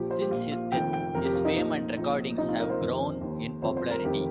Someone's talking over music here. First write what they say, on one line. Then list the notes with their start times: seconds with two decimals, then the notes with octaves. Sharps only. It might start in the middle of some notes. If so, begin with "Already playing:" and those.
Since his death, his fame and recordings have grown in popularity.
Already playing: A#1 A#2 F3 G4
0.10 C5
0.21 G4
0.30 A#1 A#2 F3 F4
0.52 F4
0.72 F1 F2 D#3 G5
0.93 G5
1.14 F1 F2 C3 F3 A#4
1.25 G4
1.35 F4
1.45 D#4
1.56 A#1 A#2 F3
1.97 A#1 A#2 F3
2.38 C2 A#2 F3 D#4
2.49 F4
2.60 A#4
2.70 C5
2.80 F1 F2 D#3
3.21 D#2 D#3
3.62 G1 F2 F3 C5
3.77 C5
3.91 A#4
4.04 F1 F2 D#3 G4